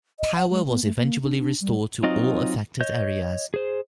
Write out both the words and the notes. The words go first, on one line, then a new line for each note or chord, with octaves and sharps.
Power was eventually restored to all affected areas.
D#5
F#5
G#3
B3
A3
A#3
D4
D4
G3
F#3 C4 D#4 F4 D#5
C#5 D#5 G6
G#4 C5